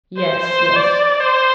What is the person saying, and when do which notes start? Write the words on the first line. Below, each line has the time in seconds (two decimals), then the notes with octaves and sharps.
"Yes, yes."
0.17 C5
0.47 C5
0.76 D5
1.20 C5